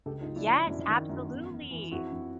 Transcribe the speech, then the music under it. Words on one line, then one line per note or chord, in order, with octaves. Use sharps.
Yes, absolutely.
C#2 G4 A4
D#4 F4
C#2
D4 E4
F3
F#2 D4 E4
D#3
F#2
E2
E2
E3
F2 E4 F#4
F2